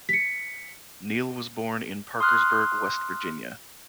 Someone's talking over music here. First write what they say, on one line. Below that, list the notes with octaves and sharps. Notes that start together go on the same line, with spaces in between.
Neale was born in Parkersburg, West Virginia.
B6 C#7
C6 D#6 F6 F#6